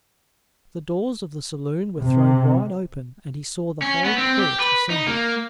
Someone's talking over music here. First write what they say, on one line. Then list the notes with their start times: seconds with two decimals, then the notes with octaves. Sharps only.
The doors of the saloon were thrown wide open and he saw the whole court assembled.
1.99 C3
3.82 C#4
4.04 B3
4.18 C4
4.39 G4
4.60 B4
4.90 D#4
5.07 A#3